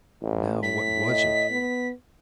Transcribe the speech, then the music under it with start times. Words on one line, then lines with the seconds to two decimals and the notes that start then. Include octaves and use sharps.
"Now, what was it?"
0.22 A1
0.62 A2 B6
1.09 D#5
1.51 B3